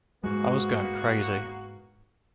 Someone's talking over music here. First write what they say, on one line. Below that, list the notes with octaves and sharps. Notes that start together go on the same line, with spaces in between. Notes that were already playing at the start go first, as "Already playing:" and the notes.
I was going crazy.
G#2 G#3 A#3 B3 F#4